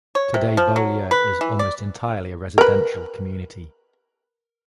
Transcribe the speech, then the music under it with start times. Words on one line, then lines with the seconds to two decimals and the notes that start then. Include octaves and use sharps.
Today Beaulieu is almost entirely a residential community.
0.15 C#5
0.34 C3
0.57 F3
0.76 F#3
1.11 B4
1.41 E3
1.59 D5
2.58 A#4 B4